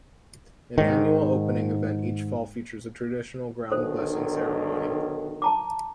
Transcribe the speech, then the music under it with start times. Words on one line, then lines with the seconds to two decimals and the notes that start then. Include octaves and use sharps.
An annual opening event each fall features a traditional ground blessing ceremony.
0.78 G#2 D#3
3.72 B1 D3 D#3 A4 C5 D#6
5.42 A5 A#5 D6